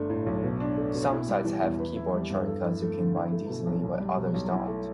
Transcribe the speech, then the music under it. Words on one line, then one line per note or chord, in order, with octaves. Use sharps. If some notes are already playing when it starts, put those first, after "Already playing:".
Some sites have keyboard shortcuts you can bind easily, but others don't.
Already playing: G1 A3 D4
A2
B1
B2
D4
A3
B2
E4
G3
E3
E2
B4
E4
G3
G2
A4
E4
A3
D3
E4
A3
B2
B1
B1
G3
B2
B1
E4
A3